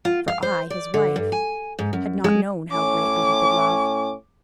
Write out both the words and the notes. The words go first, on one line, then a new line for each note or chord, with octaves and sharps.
For I, his wife, had not known how greatly he could love.
F4
F5
C5
D5
D3
G2
G#5
G#2
F#2
G#3
A2 C#4 D6